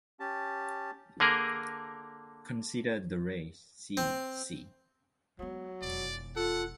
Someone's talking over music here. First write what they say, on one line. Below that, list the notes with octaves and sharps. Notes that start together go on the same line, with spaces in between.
Consider the rays "C" "C".
C#4 G4 A5
D3 A#3 G#4 A#4
C4
F#3 G#3 B3
E1 F2 D5
F4 A4 F#5